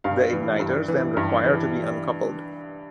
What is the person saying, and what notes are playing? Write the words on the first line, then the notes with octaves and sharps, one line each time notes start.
The igniters then require to be uncoupled.
G2 F5
E3
G2
E3
G2
E3